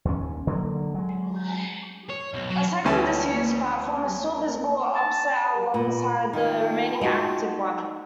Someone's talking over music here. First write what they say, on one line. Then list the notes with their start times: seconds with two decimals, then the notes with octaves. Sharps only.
A second disused platform is still visible opposite alongside the remaining active one.
0.05 D#2 C#4
0.47 D3 F#3 A3 A#3
0.94 F#3 G#3
2.10 C#5
2.34 B1
2.50 F#3
2.84 D2 E3 G3 C#4 E5 A5
4.95 A5
5.74 A#2 B5
6.33 D#3 F4 G5 A5
7.01 G#3 D#4 F#4 D#5